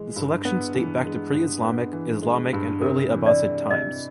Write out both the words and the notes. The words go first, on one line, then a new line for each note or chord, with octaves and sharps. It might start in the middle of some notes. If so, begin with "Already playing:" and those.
The selections date back to pre-Islamic, Islamic and early 'Abbasid times.
Already playing: E3 G#3
G2
B3
E3
G#3
G2
B3
E3
G#3
G2
C3 A#4
E3
D5
G#3
C3 D#5